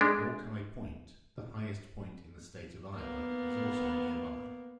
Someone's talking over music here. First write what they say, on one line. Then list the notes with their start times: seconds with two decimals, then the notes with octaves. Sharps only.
Hawkeye Point, the highest point in the State of Iowa, is also nearby.
0.01 G#3 D4
2.94 A#3 B3